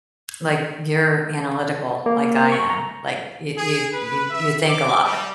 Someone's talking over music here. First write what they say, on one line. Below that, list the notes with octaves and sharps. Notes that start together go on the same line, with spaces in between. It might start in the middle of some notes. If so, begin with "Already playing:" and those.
like, you're analytical like I am. Like y you you you think a lot.
A#3
C#6
A#5
G#4
B4
E5
D6
G3